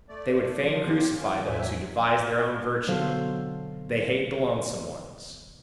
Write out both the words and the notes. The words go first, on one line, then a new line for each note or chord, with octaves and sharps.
They would fain crucify those who devise their own virtue--they hate the lonesome ones.
A3 D5
F3 C6
D#3 B3 G4
C#4
E2 A2 F#3 E5 G#5
B2 D3 F#3 A4 C5 F5